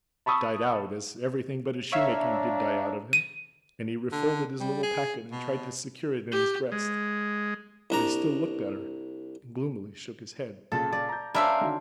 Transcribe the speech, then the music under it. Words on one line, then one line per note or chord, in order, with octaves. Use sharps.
It died out, as everything but his shoemaking did die out of him, and he refolded his little packet and tried to secure it in his breast; but he still looked at her, and gloomily shook his head.
A5 B5 C#6 D#6 E6
D4 C#5 E5 F5 A#5
D#7
D3
G3
G#4
B2
G4
G#3
C2 D4 A#5
A#2 C#3 A4 A6
D5
A#5 G6
C#4 D4 A#4 C5 E5 F5 B5
D3 D#3 F#4